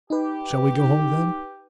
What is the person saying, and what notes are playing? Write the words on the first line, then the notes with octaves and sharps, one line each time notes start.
'Shall we go home, then?'
D#4 G4 B4